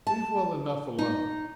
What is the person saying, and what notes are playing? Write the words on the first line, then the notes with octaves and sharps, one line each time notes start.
Leave well enough alone.
A5
D#4